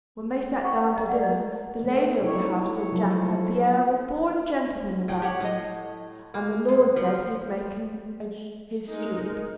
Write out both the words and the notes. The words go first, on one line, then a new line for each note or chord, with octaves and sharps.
When they sat down to dinner, the lady of the house said Jack had the air of a born gentleman about him, and the lord said he'd make him his steward.
D#5 F#5 G5 B5 C#6
D#5 A#5
D5 F#5
D5 D#5
A3 A#3
D#4 E4 G4 A4 C#5
F3 F#3 F4 A4
A2 G5
G4 C#5 F#5
A2 D#5
A#3
F#2
F3
G#3 D#4 A#4